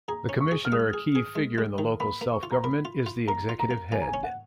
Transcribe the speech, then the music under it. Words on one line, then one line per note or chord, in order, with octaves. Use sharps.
The Commissioner, a key figure in the local self-government, is the executive head.
G#4 A#5
C#4
C#6
G#4
F6
G#3 D#6
G#4
G#4
G#3
G#3
D#3
A#3 B5
A#3
C#6
F4
A#5
A#4 B5
F4
F4
A#4 A#5
F4
A#5
A#3
A#3 G#5
A#5
G#5
C#4
F#5